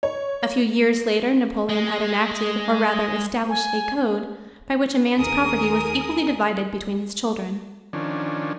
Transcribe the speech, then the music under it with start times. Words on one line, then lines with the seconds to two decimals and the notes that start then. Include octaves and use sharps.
A few years later Napoleon had enacted or rather established a Code by which a man's property was equally divided between his children.
0.03 C#5
1.69 G#3
3.49 G#5
5.16 D#2 G#4 A#4 D#6
7.93 D#3 F3 C#4 D4